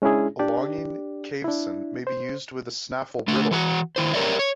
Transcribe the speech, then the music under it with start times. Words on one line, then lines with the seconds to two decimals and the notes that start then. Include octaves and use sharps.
A longeing cavesson may be used with a snaffle bridle.
0.02 G#3 C#4 D4 E4 G#4
0.39 D4 G4 D5
1.44 D4 E4
2.07 C5
3.28 A3 D4
3.51 E3 F#4 F#5
3.96 D#3 E4 C5
4.14 G4 A#4 B4 C#5 D5 E5
4.39 C#5